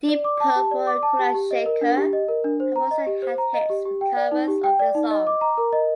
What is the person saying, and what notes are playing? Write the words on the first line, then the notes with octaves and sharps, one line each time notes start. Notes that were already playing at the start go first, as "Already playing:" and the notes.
Deep Purple and Kula Shaker have also had hits with covers of the song.
D5
D6
A5
G4
D5
D6
A5
G4
G4
D#5
A#4
D4
G4
D#5
A#4
D4
C5
A#5
D#5
G4
C5
A#5
D#5
G4
G4
G5
D5
D#4
G4
G5
D5
D#4
D#5
D6
A#5
A#4
D#5